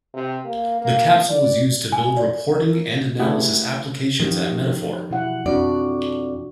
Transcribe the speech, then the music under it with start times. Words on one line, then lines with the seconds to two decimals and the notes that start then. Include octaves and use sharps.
The Capsule was used to build reporting and analysis applications at Metaphor.
0.14 C3
0.45 A#3
0.81 A#3
1.29 D5
1.92 G#5
2.17 D5
2.56 A#4
3.19 A3 B3 E4 G4 G#4 F#5
4.20 D#3 F3 G4
5.10 B2 E4 F#5
5.46 F2 D4 F#4 D5